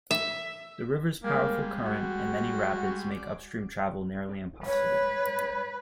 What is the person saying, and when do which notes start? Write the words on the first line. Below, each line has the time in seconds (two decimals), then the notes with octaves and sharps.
The river's powerful current and many rapids make upstream travel nearly impossible.
0.11 E5
1.24 G3 G#3 A#3
1.84 F#4
3.11 D5
4.66 B4 C#5